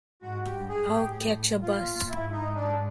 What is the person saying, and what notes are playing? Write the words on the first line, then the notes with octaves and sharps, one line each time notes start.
I'll catch a bus.
G#2 F#4
G4
G2
G#4
A2
G4
A2
F4
A#2
G#2 E4
D#4
D4